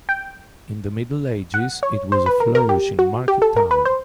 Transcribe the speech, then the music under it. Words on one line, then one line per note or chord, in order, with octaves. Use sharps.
In the Middle Ages it was a flourishing market town.
G5
F#5
C#5
C5
B4
A#4
A#4
G4
F#4
G4
A4
A#4
B4
C5